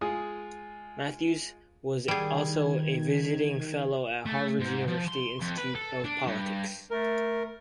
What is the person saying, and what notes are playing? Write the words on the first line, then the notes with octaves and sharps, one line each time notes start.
Matthews was also a visiting fellow at Harvard University's Institute of Politics.
G#3 F4 G#5 D#6
D#3 G3 G#4 G#6
A3
G#2
F3
C6
F2
B4
A4
D4
G2
A3 A#4